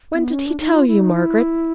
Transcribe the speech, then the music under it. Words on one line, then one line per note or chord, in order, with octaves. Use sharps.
'When did he tell you, Margaret?'
C4
B3
C#4
D4
D#4
F4
E4
D#4
E4